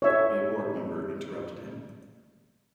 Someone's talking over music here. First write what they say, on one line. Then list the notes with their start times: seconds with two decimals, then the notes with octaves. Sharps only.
A board member interrupted him.
0.02 C#5 E5